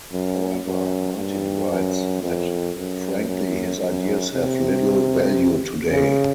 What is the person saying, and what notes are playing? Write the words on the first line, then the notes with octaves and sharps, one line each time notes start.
However, Martin writes that "frankly, his ideas have little value today".
F#2
F#2
G2
F#2
F2
F#2
F#2
F#2
C3
C#3